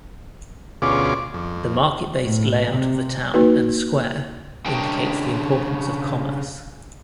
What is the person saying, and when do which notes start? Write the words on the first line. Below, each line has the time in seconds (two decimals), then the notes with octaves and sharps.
The market based layout of the town and square indicates the importance of commerce.
0.82 D2 B2 C#4 F4 G#4 D6
1.34 F2
2.24 A2
2.66 C3
3.34 A#3 D#4 F#4 B4
4.66 C#3 D4 A#4 G5